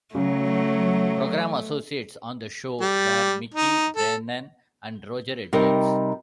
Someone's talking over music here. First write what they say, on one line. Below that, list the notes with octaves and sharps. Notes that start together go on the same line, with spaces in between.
Programme associates on the show were Mickey Brennan and Roger Edwards.
C#3 F#3 A3
G3
D#4
A4
C3 G3 D#4 A#4 D#5